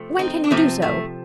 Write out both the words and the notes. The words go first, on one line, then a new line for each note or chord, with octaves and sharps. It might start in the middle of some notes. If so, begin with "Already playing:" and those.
"When can you do so?"
Already playing: C3 F3 A3
C4 D#4
D4
C3 F3 A3 C4
A3